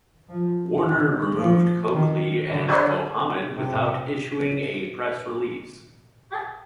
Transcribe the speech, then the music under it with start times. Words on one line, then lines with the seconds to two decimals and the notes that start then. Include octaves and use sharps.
Warner removed Cokely and Muhammad without issuing a press release.
0.29 F3
0.84 D#3
1.38 F3
1.93 D#3
2.48 D3
3.57 C3